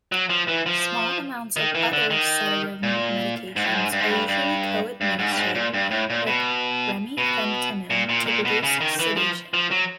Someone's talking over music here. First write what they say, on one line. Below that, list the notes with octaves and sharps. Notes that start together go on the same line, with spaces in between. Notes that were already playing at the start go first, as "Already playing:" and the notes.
Small amounts of other sedative medications are usually co-administered with remifentanil to produce sedation.
F#3
F3
E3
F3
D#3
E3
D3
D#3
A#2
G#2
A2
G#2
G2
G#2
G2
G2
G2
G#2
G2
G#2
A#2
G2
A2
A#2
B2
B2
A#2
A#2
A#2
B2
C#3
D#3
E3
F3
F3
F#3